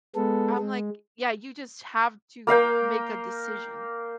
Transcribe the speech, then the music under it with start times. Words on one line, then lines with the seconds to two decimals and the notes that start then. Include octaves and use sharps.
I'm like, "Yeah, you just have to make a decision.
0.16 G#3 B3 A4
0.59 G#3
2.47 A#3 A#4 F5 G5